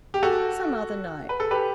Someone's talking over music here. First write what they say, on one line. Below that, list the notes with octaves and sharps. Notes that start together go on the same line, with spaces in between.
"Some other night."
G4
F#4 A4
B4
A4
G4 B4